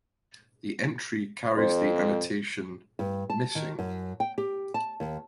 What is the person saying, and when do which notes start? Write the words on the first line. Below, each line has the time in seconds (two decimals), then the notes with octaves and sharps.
The entry carries the annotation "Missing".
1.57 F2 C5
2.99 G2
3.30 A5
3.55 D#3
3.79 F#2
4.20 G5
4.38 G4
4.74 A5
5.00 D#2